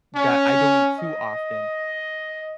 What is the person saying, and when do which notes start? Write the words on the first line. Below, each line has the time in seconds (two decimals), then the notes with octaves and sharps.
that I don't eat too often,
0.16 C#4
0.99 D#5